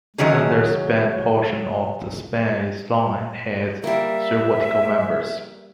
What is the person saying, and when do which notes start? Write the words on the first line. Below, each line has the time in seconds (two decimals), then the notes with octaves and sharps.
The underspanned portion of the span is long and has three vertical members.
0.18 C3 D#3 F#3 C#4 G#4
3.84 G3 A#3 E5